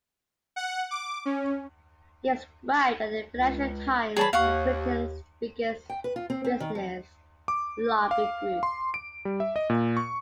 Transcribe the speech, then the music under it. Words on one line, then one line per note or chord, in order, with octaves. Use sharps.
Described by the "Financial Times" as "Britain's biggest business lobby group".
F#5
D6
C#4
C#2
E3 G3 G#4 C#5 A5 B5
D#2 F5 F#5 C#6
G5
B4
F4
C4
C4
D#3
F2
D6
F5
C6
D7
G3
E5
D#5
A#2
C#6